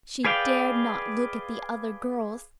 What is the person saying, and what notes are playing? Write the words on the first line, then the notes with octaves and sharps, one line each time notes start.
She dared not look at the other girls.
G#4 B4 D5 F5 G5